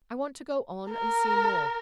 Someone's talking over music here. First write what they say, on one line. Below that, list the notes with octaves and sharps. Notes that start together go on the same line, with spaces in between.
I want to go on and see more.
A#4